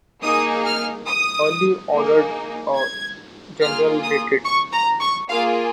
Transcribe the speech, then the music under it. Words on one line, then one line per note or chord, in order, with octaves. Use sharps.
Early ordered a general retreat.
A#3 D#4 G#4 D#6
F6
D#6
A#3 D#4 G#4
G#6
A#3 F4 G#4 F6
D#6
C#6
A#5
C#6
A#3 F4 G#4 F5